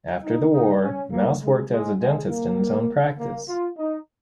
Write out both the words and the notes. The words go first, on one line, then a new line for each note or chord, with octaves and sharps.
After the war Mauss worked as a dentist in his own practice.
D#4
D#4
C#4
A#3
G#3
G#3
G#3
A#3
A#3
F4
D#4